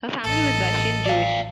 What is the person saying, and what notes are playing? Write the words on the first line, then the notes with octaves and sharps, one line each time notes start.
Her family was Russian Jewish.
A1 A4 D#5
D5 F5